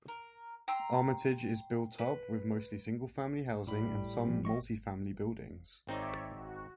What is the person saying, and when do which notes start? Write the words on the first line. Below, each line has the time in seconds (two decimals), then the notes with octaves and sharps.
Armatage is built up with mostly single-family housing and some multifamily buildings.
0.08 A#4
0.68 G5 A#5 C6 E6
1.98 B4
3.67 A2 G3 B5
4.26 F3 C4
4.45 G3 D#5 C#6
5.87 G#1 C4 D#4 C#5 D5 E5
6.34 F#4